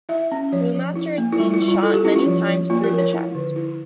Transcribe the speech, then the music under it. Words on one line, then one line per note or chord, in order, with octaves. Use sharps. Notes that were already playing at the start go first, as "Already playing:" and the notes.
Cluemaster is seen shot many times through the chest.
E4 E5
C#4
F3 C#5
F3
E4
A#3
E4
G3 F4
E4
G3
F4
E4 A4
G4
C#4 E4
F4
F3
F3
A#3 F4
A#4
F3
C#5
E4
D3
E4